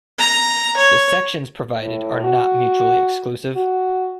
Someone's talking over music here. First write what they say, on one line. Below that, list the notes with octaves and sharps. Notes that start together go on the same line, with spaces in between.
The sections provided are not mutually exclusive.
A#5
C#5
A2
F#4
F#4